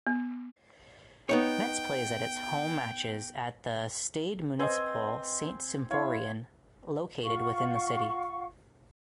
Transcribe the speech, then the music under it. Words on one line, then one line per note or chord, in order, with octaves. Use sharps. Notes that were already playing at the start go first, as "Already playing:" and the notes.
Metz plays its home matches at the Stade Municipal Saint-Symphorien located within the city.
B3
B3 D#4 C#5 G5
C4 B4 C5 D#5 G#5
E4 C#5 F5 C6
F4 F5 F#5 C#6